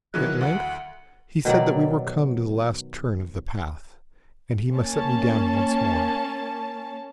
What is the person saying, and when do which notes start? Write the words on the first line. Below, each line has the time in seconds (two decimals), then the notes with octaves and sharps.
At length he said that we were come to the last turn of the path, and he must set me down once more.
0.14 D#3 E3 F#3 F#6
0.41 D2 F#5
1.45 B2 D#3 F#3 D5
4.73 A#3 C#4 A5